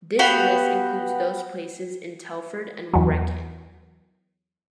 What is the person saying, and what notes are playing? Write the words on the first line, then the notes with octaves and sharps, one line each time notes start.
This list includes those places in Telford and Wrekin.
B3 F#4 G4 F5
E2 F#3